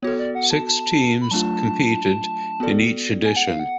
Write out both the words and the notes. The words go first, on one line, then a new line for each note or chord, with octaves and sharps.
Six teams competed in each edition.
B3 F#4 A4 C#5
D5
F#5
A5
A5
B5
F#3 A3 D4 F4 A5
B3 F#4 A4 D5
G#5
F#5
F5
F#5